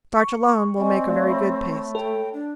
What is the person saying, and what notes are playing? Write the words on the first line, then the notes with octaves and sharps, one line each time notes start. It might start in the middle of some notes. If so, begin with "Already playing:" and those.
Starch alone will make a very good paste.
C#6
C4 D5 D#5 G#5
A3 F#4 D5 F5
C#5 E5 B5
A4 G5
D4